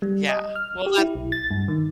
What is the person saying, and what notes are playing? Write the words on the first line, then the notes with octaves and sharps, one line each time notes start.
Yeah, well, that's
G3
D#5
F6
G4
E4
B1
A6
G2
D#3